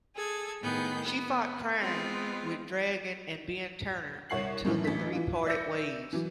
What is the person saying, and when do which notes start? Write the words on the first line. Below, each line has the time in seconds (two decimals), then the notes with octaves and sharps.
She fought crime with Dragon and Ben Turner until the three parted ways.
0.15 G#4 A4 G#6
0.61 A2 D#3 B3 G#4 G6
1.04 B3
1.79 G#3 B3 C4 F4
4.30 C2 C#5 F#5 C7 F#7
4.65 F#2 A2 D#3 E3
4.85 A1 D2 B6
5.13 E3 F4
5.46 D5 E5 E6 G6 A#6 C#7
6.13 E3 F#3